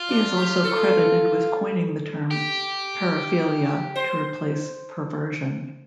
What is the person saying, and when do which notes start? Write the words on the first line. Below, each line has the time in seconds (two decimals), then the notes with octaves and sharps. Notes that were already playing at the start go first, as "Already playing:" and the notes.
He is also credited with coining the term "paraphilia" to replace "perversion".
Already playing: F4
0.09 D4
0.37 G4
0.64 A4
2.31 G4
3.96 C5